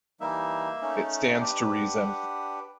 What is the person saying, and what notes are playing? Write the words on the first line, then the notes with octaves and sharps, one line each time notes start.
It stands to reason.
E3 G3 A#3 D#4 E5
A3 C#4 D#4
D4 G4 B4
F#5